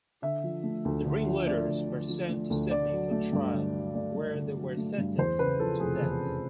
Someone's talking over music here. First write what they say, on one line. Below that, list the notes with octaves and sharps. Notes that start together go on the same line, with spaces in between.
The ringleaders were sent to Sydney for trial, where they were sentenced to death.
D3 E5
F3
A3
D2
D3
F3
A3 D5
D2
D3
F3
A3
D2
D3 D5
F#3
A3
G2
D3
F#3
A3 D5
G2
D3
F#3
A3
G2
E2 C5
C#3 B4
F3 A4
F1 G#4
E2
G#4
C#3